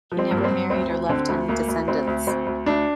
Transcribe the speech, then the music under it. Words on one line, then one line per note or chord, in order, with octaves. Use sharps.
He never married or left any descendants.
F3
C4
G2
A#3
C4
G2
D2 C4
D2
D3 C4
D2
D2 A#3
D2
D2 C4
D2
D2 C4
D2
D2 D4